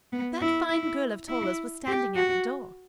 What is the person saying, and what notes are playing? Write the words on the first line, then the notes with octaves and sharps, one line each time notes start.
That fine girl of Toller's was standing at the door.
B3
E4
E4
E4
G4
F#4